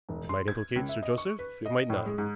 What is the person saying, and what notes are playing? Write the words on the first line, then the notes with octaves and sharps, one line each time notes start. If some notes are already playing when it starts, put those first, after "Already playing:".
It might implicate Sir Joseph, it might not.
E1
C6
G#6
C#2
E5
D#5
C#6
B4
D#5
A2
G#3
G#2